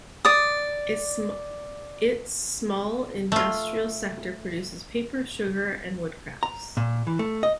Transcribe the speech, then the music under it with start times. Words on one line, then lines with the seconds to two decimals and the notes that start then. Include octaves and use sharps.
Its small industrial sector produces paper, sugar, and wood crafts.
0.25 D5 D#6
3.32 A3 F4
6.43 A#5
6.77 A#2
7.07 E3
7.19 A3
7.43 D#5